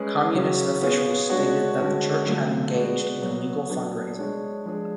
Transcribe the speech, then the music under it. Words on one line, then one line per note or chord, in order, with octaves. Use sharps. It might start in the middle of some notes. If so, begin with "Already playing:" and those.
Communist officials stated that the church had engaged in illegal fundraising.
Already playing: G#3 C#4 G#4 B4
C#3 F#3 C#4 F#4 C#5
B3 F4 G#4 C#5
G#3 D4 F#4 C#5
D3 G#3 C#4 F#4 C#5
D3 F#3 A3 F4
G#3 B3 F#4 B4 D5
F#3 B3 F#4 C#5
F#3 B3 D4
G#3 D4 G#4 C#5
F3 G#3 D4 G#4